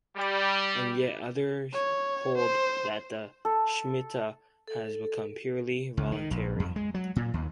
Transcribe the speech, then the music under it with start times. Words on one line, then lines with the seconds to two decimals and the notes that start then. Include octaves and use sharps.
And yet others hold that the Shmita has become purely voluntary.
0.17 G3
1.74 C#5
2.37 C5
3.45 A4
4.68 A4
5.97 C#2
6.12 D#3
6.31 A#1
6.60 F2
6.76 G#3
6.94 F#3
7.16 A#2
7.34 D#2